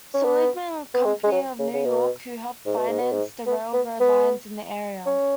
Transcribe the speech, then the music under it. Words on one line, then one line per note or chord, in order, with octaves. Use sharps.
Seligman Company of New York, who helped finance the railroad lines in the area.
C#4
B3
B3
G#3
G#3
F#3
C#3
C#3
B2
G#2
B2
G#2
B2
G#2
B3
B3
B3
C#4